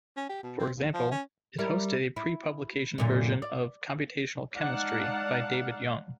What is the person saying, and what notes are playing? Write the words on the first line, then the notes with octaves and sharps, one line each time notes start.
For example, it hosted a pre-publication version of "Computational Chemistry" by David Young.
C#4
G4
B2
C4
D#2
F3
C#4
G3 E4 A#4
E4
F#2 A#2 D3
D5
G#3 D#4 D5 F5 F#5 A5